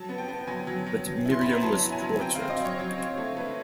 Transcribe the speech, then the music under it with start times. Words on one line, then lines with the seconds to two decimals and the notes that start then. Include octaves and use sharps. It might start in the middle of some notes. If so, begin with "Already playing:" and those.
But Miriam was tortured.
Already playing: F#3 A5
0.09 B3
0.18 G5
0.28 B3
0.47 F#3 G#5
0.67 F#3
0.87 F#3
1.06 F#3
1.25 E4
1.31 C6
1.41 B3 B5
1.52 A#5
1.63 F#3 A5
1.82 E4
1.92 G#5
2.02 F#3
2.21 C4 G5
2.35 C4 F5
2.50 D#5
2.60 F#3
2.65 C#5
2.79 F#3
2.98 C4
3.18 A3
3.36 A3 B4